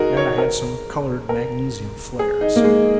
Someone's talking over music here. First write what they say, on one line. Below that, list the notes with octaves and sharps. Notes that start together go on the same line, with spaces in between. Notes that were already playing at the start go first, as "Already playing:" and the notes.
And I had some colored magnesium flares.
Already playing: D#4 F#4 G#4 A#4
C#5
A#4
A#4
G#4
D#4
A#3
G#3